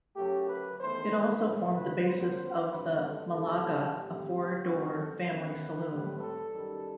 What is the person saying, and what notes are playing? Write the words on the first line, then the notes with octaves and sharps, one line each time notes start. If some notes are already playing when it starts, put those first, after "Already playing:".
It also formed the basis of the Malaga, a four-door family saloon.
F#2 F#3 A3 G4
B4
E2 D#3 A3 C5
B4
A2 E3 A3
B4
F#2 F#3 B3 C5
G2 F#3 C4 B4
A4
A2 G3 C4 A4
A2 G3 C4 G4
G2 F#3 C4 F#4
A4
F#2 E3 B3 B4
A2 G3 C4
A4
F#2 D#3 G3